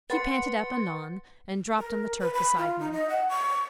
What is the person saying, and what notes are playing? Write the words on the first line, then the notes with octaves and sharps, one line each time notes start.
She panted up anon, and dropped on the turf beside me.
B4 F#5 C6 A6 C#7
A#4
B4
B5
F4
D#4
D#5
F#5
C#6